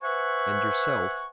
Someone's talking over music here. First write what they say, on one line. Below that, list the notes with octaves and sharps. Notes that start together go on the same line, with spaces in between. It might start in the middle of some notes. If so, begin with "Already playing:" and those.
"And yourself?"
B4 C5 E5 F#5 G#5 C#6